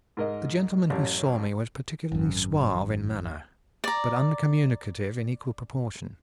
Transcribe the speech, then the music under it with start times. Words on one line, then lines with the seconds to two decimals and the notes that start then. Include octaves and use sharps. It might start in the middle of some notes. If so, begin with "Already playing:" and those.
The gentleman who saw me was particularly suave in manner, but uncommunicative in equal proportion.
0.17 G#2 A#4 D#5
0.90 A1 F#2
2.12 G#1 F#2
3.84 D5 A#5